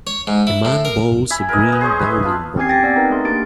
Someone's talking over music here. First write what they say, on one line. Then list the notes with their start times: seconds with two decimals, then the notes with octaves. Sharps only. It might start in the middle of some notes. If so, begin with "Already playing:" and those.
A man bowls a green bowling ball.
0.07 C#5
0.27 G#2
0.47 E4
0.65 A2
0.85 A#4
1.30 E5 G#5 B5
1.49 A#4 B4 D#5
1.68 B3 D#5
1.81 G#4 C5 C#5 D#5
1.99 B4 E5
2.23 B3 F4 A4
2.57 C4 C#4 G4 G#5 G#6 C7
2.69 G5 A6 A#6 C7
2.83 B3 C4 D5
2.96 D#4 A#4 B4
3.10 A3 G#4 C6
3.24 A#3 D4 G4 A6 D7